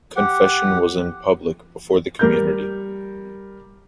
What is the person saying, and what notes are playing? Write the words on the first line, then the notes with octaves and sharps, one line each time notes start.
Confession was in public before the community.
G4 F#5
G3 A#4 G6